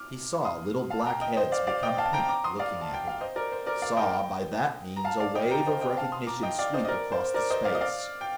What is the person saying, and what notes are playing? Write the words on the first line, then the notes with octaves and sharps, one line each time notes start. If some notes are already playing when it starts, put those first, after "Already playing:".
He saw little black heads become pink, looking at him, saw by that means a wave of recognition sweep across the space.
Already playing: D6 F6
C6 D#6
F5 A5
G5 A#5
D#5 G5
C5 D#5
D5 F5
D5 F5
D#5 G5
F5 A5
G5 A#5
A#5 D6
C6 D#6
D5 F5
A5
G5
F5
C5 D#5
A#4 D5
C5
A#4 D5
D5 F5
D#5 G5
A#5
F5 A5
D5 F5
D#5 G5
G5 A#5
C5 D#5
D#5 G5
F5 A5
C6 D#6
A#5 D6
D#5 G5
D5 F5
C5 D#5
D#5
A#4 D5
C5
A#4 D5
C5 D#5
D5 F5
D#5
D5 F5
G5